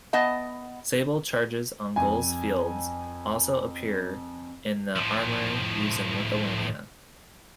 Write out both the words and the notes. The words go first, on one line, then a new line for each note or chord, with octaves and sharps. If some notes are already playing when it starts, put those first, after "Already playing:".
Sable charges on gules fields also appear in the armory used in Lithuania.
B3 D#5 A5
F2 G#5
A2 F3